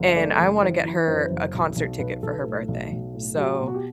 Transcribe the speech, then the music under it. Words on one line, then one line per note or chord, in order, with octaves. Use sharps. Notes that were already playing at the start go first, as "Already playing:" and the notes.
and I want to get her a concert ticket for her birthday. So,
Already playing: F#1
E5
A3 D5
F#1
E3 C5
E3
F#2 C5
B4
C5
F#1
B1
B1
B1 B4
B1 A4
B4
A2 A4
B1
B1
A2
F#3 G4
B2
F#4
G4